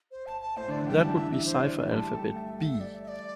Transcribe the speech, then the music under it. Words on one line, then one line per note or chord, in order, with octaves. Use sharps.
That would be cipher alphabet 'B'.
C5
A5
A5
A2 A3 C5
D3 D4
D5
E3 E4
G3 G4 G5
E4 A5
D4
E3 E4 E5
E5
C5
D5
E5
G3 G4 C6
A5
A3 A4 G5 A5
E5
G5
E5
D5
E5
D5